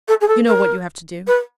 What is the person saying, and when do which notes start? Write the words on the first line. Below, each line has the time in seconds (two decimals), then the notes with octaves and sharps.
You know what you have to do.
0.08 A4
0.21 G#4
0.28 A4
0.47 A#4
1.27 B4